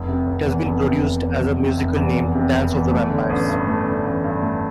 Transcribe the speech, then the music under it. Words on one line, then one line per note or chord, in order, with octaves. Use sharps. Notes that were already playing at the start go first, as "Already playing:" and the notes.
It has been produced as a musical named "Dance of the Vampires".
Already playing: F1
C3
F1
E2
F1
C3
F1
E2
F1
C3
F1
E2
F1
C3
F1
E2
A3
D3
A1
G2
A3
D3
A1
G2
A3